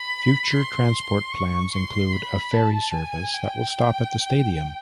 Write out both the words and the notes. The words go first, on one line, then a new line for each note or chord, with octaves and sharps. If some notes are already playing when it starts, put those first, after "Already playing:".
Future transport plans include a ferry service that will stop at the stadium.
Already playing: B5
C6
C#6
C6
B5
A5
G#5
G5